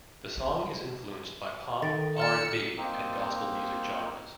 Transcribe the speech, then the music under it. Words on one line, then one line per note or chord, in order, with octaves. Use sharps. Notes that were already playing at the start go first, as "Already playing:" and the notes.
The song is influenced by pop, R and B and gospel music genres.
D#3 A4 G5 A6
C6 E6 F6 A6 C#7
A#3 C4 D#4